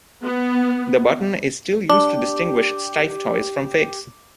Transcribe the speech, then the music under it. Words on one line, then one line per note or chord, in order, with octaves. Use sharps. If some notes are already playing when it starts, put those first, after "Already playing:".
The button is still used to distinguish Steiff toys from fakes.
B3
D4 G4 D6